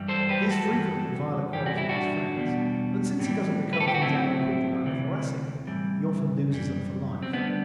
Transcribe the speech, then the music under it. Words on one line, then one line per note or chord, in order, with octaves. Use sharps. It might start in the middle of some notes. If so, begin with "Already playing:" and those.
He is frequently in violent quarrels with his friends, and since he does not recover from his anger quickly like the Thoracic, he often loses them for life.
Already playing: G2 E3 G3
A4 C5
G4 B4
F#4 A4
G2 E3 G3
G2 E3 G3 G4
F#4
E4
D4 F#4
E2 B2 G3
A2 E3 G3
B4
A4
G4
F#4
A2 F#3 C4 E4
D2 C3 E3
A2 E3 G3
F#2 E3 G3
C4
D2 D3 G3 B3 D4